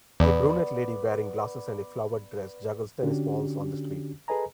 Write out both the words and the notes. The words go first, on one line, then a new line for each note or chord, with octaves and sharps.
A brunette lady wearing glasses and a flowered dress juggles tennis balls on the street.
E2 B3 D5
D3 C#4 D4 F#4 G4
G#4 A4 B4 D#5 G#5 A#5